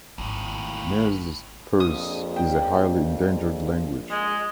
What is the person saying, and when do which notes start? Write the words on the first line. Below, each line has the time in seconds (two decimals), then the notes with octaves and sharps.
Nez Perce is a highly endangered language.
0.18 G#1 D#2 A2
1.80 A#1 F2 D#6
2.36 G5
4.10 G#3